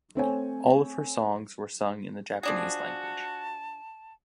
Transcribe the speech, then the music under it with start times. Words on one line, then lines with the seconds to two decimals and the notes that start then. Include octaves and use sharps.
All of her songs were sung in the Japanese language.
0.15 A3 C4 C#5 G#5
2.43 F3 D4 F#4 G#4 A5